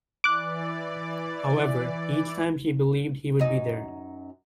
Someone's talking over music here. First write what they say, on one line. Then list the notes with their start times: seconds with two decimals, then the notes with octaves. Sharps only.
However, each time she believed he would be there.
0.24 E3 D5 D6 F#6
3.39 F#2 D#4